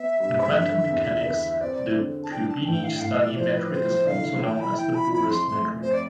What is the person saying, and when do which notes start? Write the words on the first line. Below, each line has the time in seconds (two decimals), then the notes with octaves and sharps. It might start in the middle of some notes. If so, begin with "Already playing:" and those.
In quantum mechanics, the Fubini-Study metric is also known as the Bures metric.
Already playing: B3 E5
0.20 G2
0.55 D3
0.90 E2
1.26 B3
1.60 C4 D5
1.96 D3
2.24 A5
2.31 D4 G5
2.49 A5
2.65 A2 G5
2.84 F5
2.94 G5
3.01 A2 F5
3.19 D5
3.36 F3 C5
3.54 B4
3.71 B3 C5
4.07 D3 F5
4.42 E3 G5
4.60 B5
4.77 E4 G5
4.95 B5
5.12 F2 B5
5.30 C6
5.48 A3 C6
5.82 F2 C5
5.93 D5